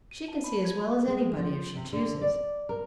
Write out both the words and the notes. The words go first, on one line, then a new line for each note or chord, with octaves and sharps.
She can see as well as any body, if she chooses.
D#7
A5
B5
G#6
G#3
F3
C3
D3
D5
A#4